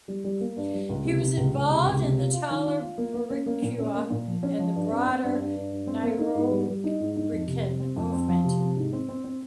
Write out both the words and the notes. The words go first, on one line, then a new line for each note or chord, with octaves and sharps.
He was involved in the Taller Boricua and the broader Nuyorican movement.
G3
G3
A#3
G2
G3
C#2
C3
C3
C#2
C#2
C3
C#2
C3
F4
F4
D#3
F4
F4
A#3
A#3
C#4
A#3
A#2
C#4
A#3
A#2
F3
C#4
F3
G2
C4
C4
G2
G2
G2
G2
C4
A#3
D#4
G#2
G3
G3
D#4
G#2
D#4
F2
C3
C4
C4
F2
C4
F3
C3
C4
G#2
C4
C4
C4